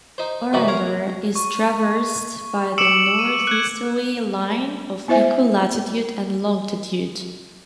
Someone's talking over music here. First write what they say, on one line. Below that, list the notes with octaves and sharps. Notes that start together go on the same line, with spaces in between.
Orenburg is traversed by the northeasterly line of equal latitude and longitude.
D#4 C5
G2 C3 E3 D#4 F#4 B5
A#4 C#5 F5 A#5
C#6
D6 E6 C#7 D7 E7 F#7
D#7
F#6 G#6
B3 E4 C5 E5 G#5